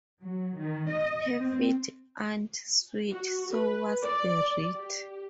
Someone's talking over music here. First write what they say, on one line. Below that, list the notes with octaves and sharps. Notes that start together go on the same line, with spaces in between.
Her feet ain't sweet so what's the reet?
F#3
D#3
D#5
C4
F#4
B4
D5
G4